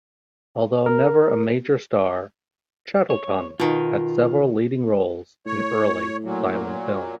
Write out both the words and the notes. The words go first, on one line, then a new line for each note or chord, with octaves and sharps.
Although never a major star, Chatterton had several leading roles in early silent films.
A#4
C#5
B2 D#3 F4
A2 C#5
A#2 F#3